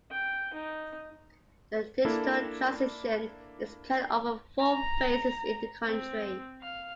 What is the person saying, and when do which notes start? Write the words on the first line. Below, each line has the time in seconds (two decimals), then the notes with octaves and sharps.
The digital transition is planned over four phases in the country.
0.11 G5
0.54 D#4
2.05 A#3 D4 E4 A4
4.60 A#5
5.86 C4
6.62 F5